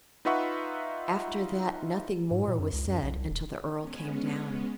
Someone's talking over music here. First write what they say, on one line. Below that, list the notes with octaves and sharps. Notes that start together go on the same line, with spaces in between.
After that nothing more was said till the earl came down.
D#4 F4 B4 E5 F#5 C#6
G#2
A#2
F#2
C#2
F#2
B1
C2
E1
G#3 B3 C#4